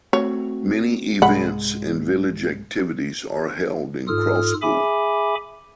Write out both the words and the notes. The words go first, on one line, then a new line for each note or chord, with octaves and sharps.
Many events and village activities are held in Crosspool.
A3 C4 F#4 C#5
C2 G#2 G#3 F#5 B5
G#2 F4 A4 D#6 F6
G#4 E5 G#5 B5 D6